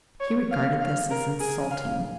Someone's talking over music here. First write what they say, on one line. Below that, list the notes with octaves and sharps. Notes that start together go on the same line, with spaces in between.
He regarded this as insulting.
C#5
F5
F5
A#4
G#4
F5